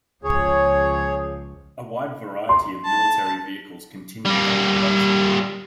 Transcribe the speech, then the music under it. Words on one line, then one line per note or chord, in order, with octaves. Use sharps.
A wide variety of military vehicles continued under production.
C#2 F3 G#4 C#5
C6
A5
G3 A#3